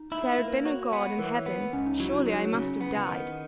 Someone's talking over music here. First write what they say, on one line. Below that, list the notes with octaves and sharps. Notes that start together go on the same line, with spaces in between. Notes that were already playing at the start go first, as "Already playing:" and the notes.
"If there had been a God in Heaven, surely I must have died."
Already playing: D#4
D#4 E4
A#3
B4
F#4 C#5
B3 B4
E3 A#4
C#5
B3
C#2 C#4
D#4
F#3 E4
D#4
F#3 D#4
C#3
B3
D#3